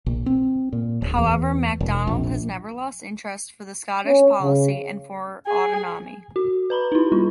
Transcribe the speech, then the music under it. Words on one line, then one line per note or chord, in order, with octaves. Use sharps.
However, MacDonald has never lost interest for the Scottish policy and for autonomy.
A#1
C4
A#2
D1
E2
E1
A#1
C#4
C#3
G#4
F#4
B4 A#5 B5
D#4 E4
G3 F4